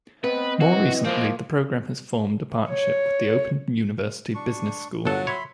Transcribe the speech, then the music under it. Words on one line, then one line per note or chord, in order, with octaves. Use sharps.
More recently the programme has formed a partnership with the Open University Business School.
B3 C4 B4 D#5
E3 F#4
F3 G#3 A#3 C4 C5
C#5
D4 C#6
G1 F#3 A4 F#5 A5
C#5 E5 B5 C6